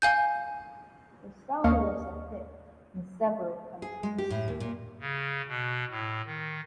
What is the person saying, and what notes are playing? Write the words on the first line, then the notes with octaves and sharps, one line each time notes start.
The song was a hit in several countries.
F5 G#5 G6
D#2 A#3 D#5 F5 C#6
G#4
G#3
G4
A2
D#2
A#2
C#3
B2
A2
D#3